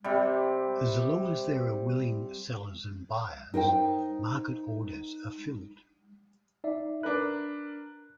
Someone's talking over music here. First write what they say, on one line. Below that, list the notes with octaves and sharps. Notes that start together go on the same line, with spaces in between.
As long as there are willing sellers and buyers, market orders are filled.
C3 G3
D#4 A#4 C5 G5
D#4 D5 E5
D4 A#4 B4 F#6